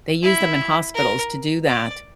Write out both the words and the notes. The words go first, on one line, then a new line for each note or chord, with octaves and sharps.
they use them in hospitals to do that.
E4
A#4
D5